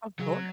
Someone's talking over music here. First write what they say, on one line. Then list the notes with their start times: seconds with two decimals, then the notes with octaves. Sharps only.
Of course.
0.19 C#3 F#3